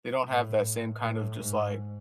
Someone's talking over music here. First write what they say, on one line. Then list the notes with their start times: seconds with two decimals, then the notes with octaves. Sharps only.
they don't have that same kind of just, like
0.28 A2
1.03 A2
1.41 G#2